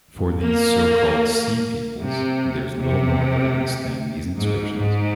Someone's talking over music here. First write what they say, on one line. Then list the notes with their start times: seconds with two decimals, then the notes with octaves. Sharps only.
For these so-called "Sea Peoples", there is little more evidence than these inscriptions.
0.42 A#3
2.00 C3
2.79 C3
4.38 G#2
4.77 G#2